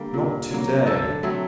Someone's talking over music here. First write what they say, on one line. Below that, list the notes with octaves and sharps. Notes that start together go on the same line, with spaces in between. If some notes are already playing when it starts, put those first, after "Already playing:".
"Not to-day."
Already playing: D3 G3 A#3
A#2
F#3 A#3
D3 A4
F#3 A3 C4